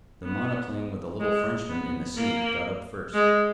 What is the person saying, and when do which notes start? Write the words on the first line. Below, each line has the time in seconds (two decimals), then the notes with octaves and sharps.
The monoplane with the little Frenchman in the seat got up first.
0.23 B3
1.20 G#3
1.69 B3
2.17 A#3
3.14 G#3